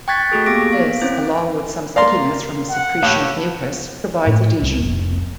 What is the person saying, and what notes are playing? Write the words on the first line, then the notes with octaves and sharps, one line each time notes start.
This, along with some stickiness from the secretion of mucus, provides adhesion.
G5 C#6 F#6 G#6 A6 B6
A3 F#4 G#4 A4
A#3 B3 G4 D6 A#6 D7
F5
C4 C#4 E4 C5
A#3 D5 F5 A#5 C6
F#5
A2 G4 F5
A2
C2
F1